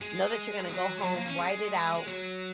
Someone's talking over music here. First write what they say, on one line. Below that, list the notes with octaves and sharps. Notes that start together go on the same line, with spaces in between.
know that you're gonna go home, write it out,
G#3
F#3
G#3
F#3
A#3
C#4
G#3
G#3
F#3